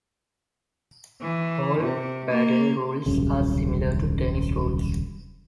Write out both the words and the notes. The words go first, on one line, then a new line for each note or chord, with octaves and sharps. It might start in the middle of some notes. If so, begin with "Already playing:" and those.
All paddle rules are similar to tennis rules.
E3
C3
A#3
D#1 C2 F#2 C#3